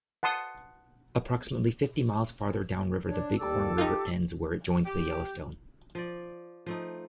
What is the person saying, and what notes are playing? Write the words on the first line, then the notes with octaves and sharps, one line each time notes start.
Approximately fifty miles farther downriver, the Bighorn River ends where it joins the Yellowstone.
F#5 A5 C6 D#6
D4 C#5
D#2 G3 A4 D6 E6
D#4 F4 G4
G4
F3 D5
F3 A3 D#4